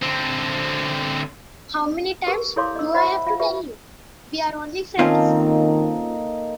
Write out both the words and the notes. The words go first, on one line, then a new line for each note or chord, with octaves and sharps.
How many times do I have to tell you? We’re only friends.
D3 C4
G4 A#4 B4
E4 A4 C#5 F5 C6 D6
D#5 E6
C5 C#5 E5 F#5 B5
F4 F5
G4 B4 E5
D#3 A#3 C4 C#4 D#4 F4 A4